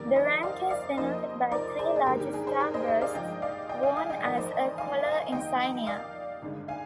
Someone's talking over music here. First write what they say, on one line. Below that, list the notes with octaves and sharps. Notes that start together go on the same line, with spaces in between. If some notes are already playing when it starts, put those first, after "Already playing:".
The rank is denoted by three large starbursts worn as a collar insignia.
Already playing: F2 D#3 G3 A#3 A#4 D5
C5 D#5
D5 F5
D5 F5
F1 F2 C3 F3 A#3 C5 D#5
A#4 D5
G#4 C5
G#4
G#1 G2 D3 G3 A#3 G4 A#4
G4
G#4
G#4 C5
G4 A#4
C5 D#5
C5 D#5
D5 F5
G2 F3 G#3 D#5 G5
D5 F5
D#5 G5
F5 G#5
F5 G#5
D#5 G5
G#1 G#2 F3 A#4 D5
C5 D#5
F5 G#5
F5 G#5
F2 D#3 G3 A#3 D#5 G5
D5 F5
G#1 G2 D3 G#3
F5 G#5